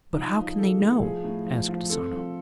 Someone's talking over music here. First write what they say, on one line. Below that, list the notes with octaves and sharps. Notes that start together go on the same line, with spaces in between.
"But how can they know?" asked Asano.
F3 D#4
F3
G#3 A4
A2
F3 G#4
A2
F3
F3
C4 A4
F3